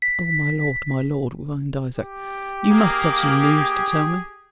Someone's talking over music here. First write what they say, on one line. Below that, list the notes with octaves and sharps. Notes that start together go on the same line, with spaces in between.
"Oh, my lord, my lord," whined Isaac, "you must have some news to tell me."
B6
G4
A#3 G#4